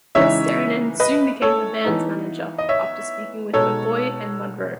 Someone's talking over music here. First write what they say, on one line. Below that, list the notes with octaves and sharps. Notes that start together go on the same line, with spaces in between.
Vesterinen soon became the band's manager after speaking with McCoy and Monroe.
C#3 E3 G#3 D#4 C#5 E5
B4 D#5
A4 C#5
E3 B3 D#4
D#5
C#5 E5
B2 G#3 D#4 A4 C#5